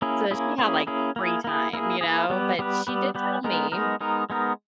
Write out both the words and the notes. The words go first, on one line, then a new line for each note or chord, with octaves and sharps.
So, she had, like, free time, you know? But she did tell me
A#3 C#4 E4 G#4
A#3 C#4 E4 G#4
A#3 C#4 E4 G#4
A#3 C#4 E4 G#4
A#3 E4 G#4
A#3 E4 G#4
A#3 E4 G#4
A#3 E4 G#4
G3 B3 G4 B4
G3 B3 G4 B4
G3 B3 G4 B4
G3 B3 G4 B4
G#3 B3 D#4 A#4
G#3 B3 D#4 A#4
G#3 B3 D#4 A#4
G#3 B3 D#4 A#4